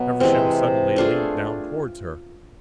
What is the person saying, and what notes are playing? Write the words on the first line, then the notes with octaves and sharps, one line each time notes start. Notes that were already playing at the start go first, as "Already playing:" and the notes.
Feversham suddenly leaned down towards her.
Already playing: B2 F#3 B3
C3 E3 G#3 C4
A3 D4 F4 G#4